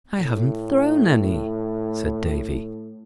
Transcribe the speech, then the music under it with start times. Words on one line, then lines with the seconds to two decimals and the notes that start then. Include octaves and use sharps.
"I haven't thrown any," said Davy.
0.20 A2